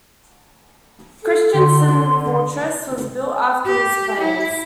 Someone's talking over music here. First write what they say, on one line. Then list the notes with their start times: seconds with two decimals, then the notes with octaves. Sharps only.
Kristiansten Fortress was built after his plans.
1.24 A4
1.54 D3 C6
3.66 G4
4.20 E4